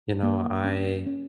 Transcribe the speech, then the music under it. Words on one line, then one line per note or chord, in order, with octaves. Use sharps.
you know, I
A#3
C#4
C#4